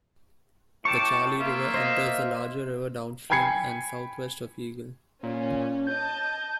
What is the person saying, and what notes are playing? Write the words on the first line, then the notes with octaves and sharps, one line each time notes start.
The Charley River enters the larger river downstream and southwest of Eagle.
A2 G5 A5 C#6 D6
A#3 F4 E5
C5 D#5
G5 G#5 B5 G#6 C7 C#7
A#2 C#4
D#5 A5 G6